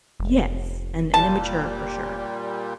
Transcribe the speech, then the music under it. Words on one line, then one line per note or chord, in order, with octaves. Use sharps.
Yes, and and immature for sure.
F1
A#2 G3 A5